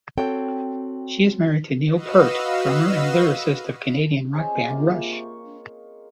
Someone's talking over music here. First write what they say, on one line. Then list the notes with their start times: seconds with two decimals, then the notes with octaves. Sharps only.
She is married to Neil Peart, drummer and lyricist of Canadian rock band Rush.
0.17 C4 F#4 A4 C#5 G5
1.91 F#4 B4 D#5 F5 E6
4.33 C#4 G#4 C5 D#5
4.69 C3 A#3 F4
5.12 C#6